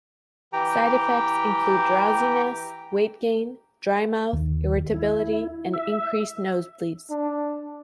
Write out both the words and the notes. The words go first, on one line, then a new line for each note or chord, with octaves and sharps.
Side effects include drowsiness, weight gain, dry mouth, irritability, and increased nosebleeds.
E3 G4 G5 A#5
D#2
E4
E5
D4